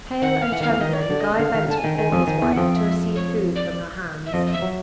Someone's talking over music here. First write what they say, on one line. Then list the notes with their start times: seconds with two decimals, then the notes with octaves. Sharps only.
Pale and trembling, Guy bent before his wife, to receive food from her hands.
0.22 D#3 F#5
0.42 F5
0.52 E3 F#5
0.60 D#3 F5
0.69 E2 E3
0.81 D#3 D#5
0.93 C#5
1.01 D5
1.10 D3
1.20 D#5
1.39 D3 F5
1.54 D#3
1.68 D3 A5
1.77 G#5
1.84 D#3 G5
1.96 D#3 G#5
2.12 F2 F3
2.27 D#3
2.42 E2 E3
2.53 F#5
2.56 F2 F3 G5
2.76 E5
3.16 C#5
3.56 D5
4.26 E5
4.33 F2 F3 D#5
4.47 D#5
4.53 E5
4.62 F#3